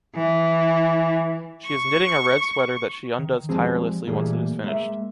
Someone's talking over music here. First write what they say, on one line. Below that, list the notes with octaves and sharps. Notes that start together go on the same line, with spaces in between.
She is knitting a red sweater that she undoes tirelessly once it is finished.
E3
C#6
D#3
F3 G3 G#3 C4 G#4
A#2 E3 G3 A3 A#3 G#4
G#3 A#3 E5